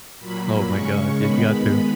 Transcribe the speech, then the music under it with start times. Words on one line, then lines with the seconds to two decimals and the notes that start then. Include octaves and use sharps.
Oh, my god, ye you got to.
0.19 A#2 F#3 A#3 B5
0.69 C#3 G#3 C#4 C#6
1.19 D#3 G#3 B3 B5